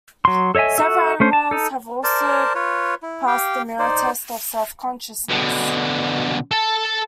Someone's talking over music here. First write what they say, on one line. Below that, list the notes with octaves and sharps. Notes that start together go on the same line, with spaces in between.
Several animals have also passed the mirror test of self-consciousness.
F#3 C6
A4 C#5 D#5 E5 G#5
F#4 A4 E5
A3 C#4 C5
A5
D#4 A4
A#4 C5 D5 A5
F4 B4 C#5
E4
G4 F5 G5
D#4 C5 D5
B2 D3
A4 A5